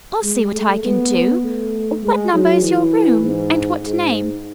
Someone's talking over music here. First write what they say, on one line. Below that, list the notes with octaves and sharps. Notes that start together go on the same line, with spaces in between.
I'll see what I can do. What number is your room? and what name?
G#3
A3
B3
A3
G#3
F#3
E3
G#2
G#2